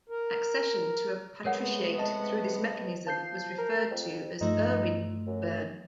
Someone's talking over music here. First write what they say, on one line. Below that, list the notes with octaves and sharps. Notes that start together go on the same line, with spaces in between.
Accession to a patriciate through this mechanism was referred to as erweibern.
A#4
A2 C3 G#3 B3 A#4 C#5 F#5
D#5 A5
F3 A5 G6 C7
A#4
F2
G2 F3 A3 D#4
F#2